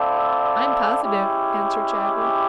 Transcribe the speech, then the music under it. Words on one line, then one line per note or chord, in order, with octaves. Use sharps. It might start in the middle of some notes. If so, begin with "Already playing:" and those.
"I'm positive," answered Shaggy.
Already playing: C4 E4 A4 D5 F5
G#3 C#4 E4 G4